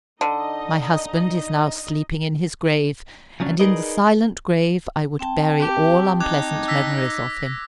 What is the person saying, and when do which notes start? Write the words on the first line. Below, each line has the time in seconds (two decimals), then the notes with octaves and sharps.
My husband is now sleeping in his grave, and in the silent grave I would bury all unpleasant memories of him.
0.21 D3 D#4 D#5
3.40 C#3 F3 F#3 C#4 D4
3.59 D#4 G#4 A#4 B4 D5 D#5
5.19 C4 G5 A5
5.60 G4
6.20 D#4 D6 F#6 G#6
6.68 E6 A#6 B6